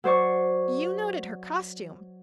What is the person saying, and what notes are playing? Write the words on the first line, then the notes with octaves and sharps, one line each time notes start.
You noted her costume.
F#3 C5 D5 C#6